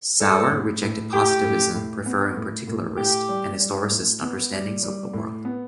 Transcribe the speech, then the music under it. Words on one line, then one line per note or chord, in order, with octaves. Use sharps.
Sauer rejected positivism, preferring particularist and historicist understandings of the world.
G3 A4
A2
A2
A2 G4
A2
A2
B3
A2
A2
A2 G4
G3
G3
A2
B3
G3
G3
A2
B3